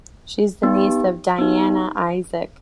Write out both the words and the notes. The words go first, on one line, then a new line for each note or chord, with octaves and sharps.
She is the niece of Diana Isaac.
B3 D#4 G4
B3 D#4 G4